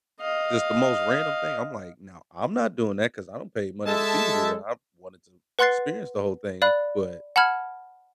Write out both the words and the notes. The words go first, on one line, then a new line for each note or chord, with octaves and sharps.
just the most random thing. I'm like, "No, I'm not doing that 'cause I don't pay money to be here and I wanted to experience the whole thing, but,
D#5 F5
G#3 A4 E5 A5
B4 F#5 C6 F#6 A6 C7
D5 F5 B5 F#6
F#5 A5 B5 F6 G#6